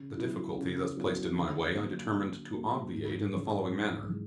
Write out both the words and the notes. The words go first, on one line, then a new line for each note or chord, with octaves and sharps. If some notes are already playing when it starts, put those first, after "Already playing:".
The difficulty thus placed in my way I, determined to obviate in the following manner.
Already playing: C#3
F#3 B3 E4
C#3
F#3 B3 E4
D3
F#3 A#3
D3
F#3 A#3
G#2
E3 G#3 C#4
G#2
E3 G#3